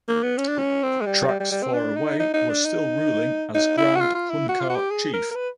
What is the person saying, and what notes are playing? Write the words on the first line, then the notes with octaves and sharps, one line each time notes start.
Tracks Far Away was still ruling as Grand Hun kah chief.
A#3
B3
C#4
D4
C#4
C4
G#3
G3
G3
G3
G3
C4
D4
D#4
D#4
D#4
D4
D#4
D#4
E4
F#4
F4
F4
E4
F#4
F4
F#4
G4
G#4
A#4
A#4
B4